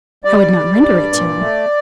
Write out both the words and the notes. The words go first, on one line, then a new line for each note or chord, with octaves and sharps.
"I would not render it to him."
G3 D5
G3
G2
A#2
A3